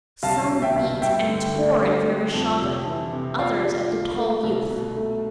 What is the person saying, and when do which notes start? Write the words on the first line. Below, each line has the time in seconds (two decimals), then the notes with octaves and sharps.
Some beat and tore at Vereshchagin, others at the tall youth.
0.23 C2 F5 A5
0.49 B2
0.62 E5 G5
0.76 C2
1.02 G2 E5 G5
1.29 D3
1.54 A3
1.81 G3
2.07 G3
2.34 F2
2.60 C3
2.86 E3
3.13 C3
3.38 F3 D5 F5
3.65 F3
3.91 F3
4.17 A3
4.43 C2
4.70 B2
4.97 A3